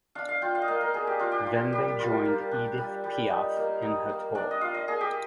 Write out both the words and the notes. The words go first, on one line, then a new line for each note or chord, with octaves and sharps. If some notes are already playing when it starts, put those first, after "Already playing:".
Then they joined Edith Piaf in her tour.
D4 F5
F5
F4 G5
F5
D#5
A#3 F5
A#4
A#3 G#4
G4
D4 F4
G4
F4
G3 G4
G3 F4
A#3
D4
G3
G3
D#4
A#3
D#4
A#3
D4 D5
D#5
F4 F5
D#5
A#3 G#4
G4